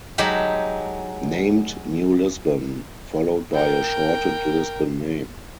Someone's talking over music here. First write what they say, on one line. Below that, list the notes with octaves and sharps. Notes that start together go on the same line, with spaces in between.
Named "New Lisbon", followed by a shortened "Lisbon" name.
F#3 G#3 D#4 G4 A5 B5
A#4 G5